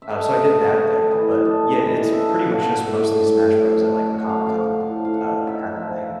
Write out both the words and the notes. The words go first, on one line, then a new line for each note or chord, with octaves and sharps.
um, so I did that there, but, yeah, it's pretty much just mostly Smash Bros. at, like, a Comic Con, uh, kinda thing.
E5
A3 D#5
A3
A3
E3 D#5
D4 D5
E3 D#5
D4 E5
F5
D4 F#5
E5
A2
A2
A2
D4
D4 F#5
F5
F3 F5
F#5
A2 F5
F5
D4 F#5
D#4 E5
F3